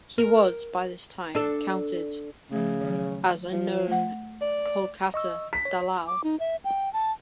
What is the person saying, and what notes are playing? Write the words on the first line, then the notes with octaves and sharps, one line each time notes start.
He was, by this time, counted as a known Kolkata "dalal".
A#4
D4 A4
C#3 F3 A3
D#3 F#3
F3
A3 F#5
D5
D#5 C#6 E6
B6
C#5
D6
D#4
E5
G5
A5